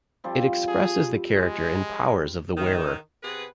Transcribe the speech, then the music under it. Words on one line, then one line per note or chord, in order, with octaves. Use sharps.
It expresses the character and powers of the wearer.
F3 G3 C4
G#4
G#3
D#3
C3 B3 G#4 B4